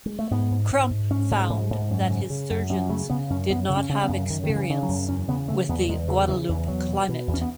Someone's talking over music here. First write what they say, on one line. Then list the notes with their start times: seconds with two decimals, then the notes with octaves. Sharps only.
Crump found that his surgeons did not have experience with the Guadeloupe climate.
0.06 G#3
0.19 A3
0.31 G#2 B3
0.51 G#2
0.71 G#2
0.90 G#2
1.10 G#2 C#4
1.31 G#2
1.50 G#2
1.70 G#2
1.90 F#2
2.10 C#3
2.30 C#3
2.50 F#2
2.70 F#2
2.89 C#3 A3
3.10 C#3 B3
3.30 F#2 C#4
3.50 F#2 B3
3.69 C#3
3.77 C#4
3.89 C#3 C#4
4.03 B3
4.09 F#2
4.30 F#2 D#3
4.44 D#3
4.49 C#3
4.56 E3
4.69 C#3
4.83 F#3
4.88 F#2
5.09 E2 C#4
5.28 C#3 B3
5.48 C#3 A3
5.69 E2 B3
5.80 F#3
5.89 E2 G#3
6.08 C#3 E3
6.28 C#3 E3
6.49 E2 E3
6.68 E2 F#3
6.88 B2
7.09 B2
7.28 E2
7.34 C#4
7.41 B3